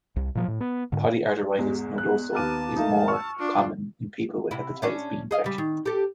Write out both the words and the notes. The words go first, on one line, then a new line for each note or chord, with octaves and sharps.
Polyarteritis nodosa is more common in people with hepatitis B infection.
C2
A#2 F3 F#3
A2
B3
G#2 D3
E2 G#2 G#3
F#6
D#2 B3 A5 A#5 D6 F6 D#7
A3 A#3 D#4
C#6 E6 F6
D4 F4
C3 E4
C#4 D4 C#5
G#4 D#5 F5
C#3 G3
D#3
G4 A4